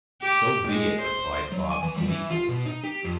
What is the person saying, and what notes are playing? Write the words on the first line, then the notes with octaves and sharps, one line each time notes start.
"So be it," replied Bob gleefully.
G4
G#3
C5
F#3
G#5
E3
G3
E3
F4
B2
D#4
G4
F2